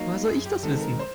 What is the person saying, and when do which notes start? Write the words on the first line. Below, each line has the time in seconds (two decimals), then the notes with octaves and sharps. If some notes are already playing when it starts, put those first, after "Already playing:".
Woher soll ich das wissen?
Already playing: F#3 A#3 D#4
0.27 F#2 G#4
0.45 G4
0.63 D#3 G#3 C4 D#4 A4
0.75 A4
0.81 A#4
0.99 C5